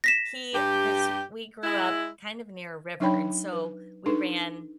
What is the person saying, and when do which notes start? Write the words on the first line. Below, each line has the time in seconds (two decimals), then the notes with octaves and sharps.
he 'cause we grew up kind of near a river, and so we ran
0.04 A#6 B6 E7
0.53 G2 G4
1.64 G#3 E4
3.00 F#3 D4 D#4 C#5 G5 B5
3.52 B4
4.06 D4 D#4 A4 B4